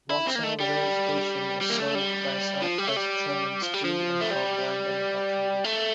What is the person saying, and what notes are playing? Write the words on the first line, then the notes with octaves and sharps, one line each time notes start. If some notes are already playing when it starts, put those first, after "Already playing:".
Vauxhall rail station is served by South West Trains to and from London Waterloo.
E4
C4
A#3
A3
G3
G3
A#3
A3
G3
F3
G3
A3
G3
F3
G3
F3
A3
G3
A3